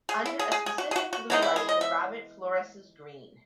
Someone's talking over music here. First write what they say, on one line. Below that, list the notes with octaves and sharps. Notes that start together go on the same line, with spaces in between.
Under a specific blue light, the rabbit fluoresces green.
G#4
E4
G#4
G#4
G#4
F#4
G#4
F#4
F#4
E3 G#3 B3 D#4 E4
E4
G#4
D#5
E5